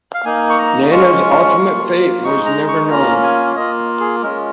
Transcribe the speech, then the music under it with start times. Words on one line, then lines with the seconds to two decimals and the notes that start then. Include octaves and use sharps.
Nana's ultimate fate was never known.
0.14 F5
0.25 A#3 D#4 G#5
0.50 C#6
0.59 A#5
0.91 G#3 C#4 F4 C#6
1.57 A#3 F4
2.24 G#3 D#4 C#6
2.46 A#5
2.68 C#6
2.90 A#3 C#4 F4 A#5
3.23 G#5
3.56 A#3 F4 D#5
4.00 G#4
4.23 G#3 C#4 F4 A#4